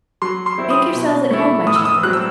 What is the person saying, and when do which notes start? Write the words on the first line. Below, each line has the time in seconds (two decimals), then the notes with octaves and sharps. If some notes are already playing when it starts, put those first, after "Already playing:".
Make yourselves at home, my children.'
0.22 F#3 C6
0.46 C6
0.58 C4 E4
0.70 D#6
0.94 B2
1.31 A3 E4
1.67 A2 D#6
1.76 E6
1.85 D#6
2.03 F#3 C4 F#6
2.13 E6